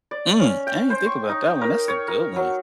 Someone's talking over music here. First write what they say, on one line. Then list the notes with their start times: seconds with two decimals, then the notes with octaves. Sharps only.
Mm, I didn't think about that one. That's a good one.
0.11 D5
0.40 C#4
0.67 G5
0.90 C5
1.06 C#6
1.29 D#4
1.48 G5
1.61 A#4
1.88 C#5
2.08 A#4
2.36 F#3